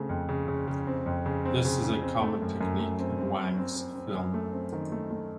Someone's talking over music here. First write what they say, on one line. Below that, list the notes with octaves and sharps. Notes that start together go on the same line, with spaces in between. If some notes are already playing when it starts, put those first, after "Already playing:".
This is a common technique in Wang's film.
Already playing: C#3 A3 C4
F2
C#3
C#3
C#3
C4
F2
C#3
C4
C#3
C#3
C4
A3
F#2
F#2
A3
C4
C4
C4
C4
C4
C4
F#2
A3
C4
D#3
A3
A3